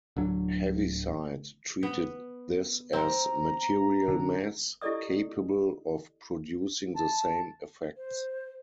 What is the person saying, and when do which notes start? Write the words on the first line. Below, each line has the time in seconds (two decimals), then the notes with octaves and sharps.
Heaviside treated this as material mass, capable of producing the same effects.
0.17 D1 D3 F#3
1.83 B3
2.93 C4 A#5
4.08 D3
4.81 E4 G4 A4 D5 D#5 D#6
6.96 A5
7.96 C5